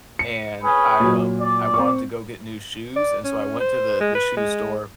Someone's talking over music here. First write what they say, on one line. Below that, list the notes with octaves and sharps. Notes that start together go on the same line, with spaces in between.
and I, um, I wanted to go get new shoes, and so I went to the the shoe store,
C#7
C#4 G#4 B4
A#2 F#3
D5
C4 C#6
D5
C#4
C5
G#3
B4
G#3